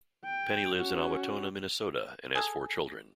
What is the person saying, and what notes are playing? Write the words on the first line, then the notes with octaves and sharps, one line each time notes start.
Penny lives in Owatonna, Minnesota and has four children.
G5
C#4 F#4
G#4 A4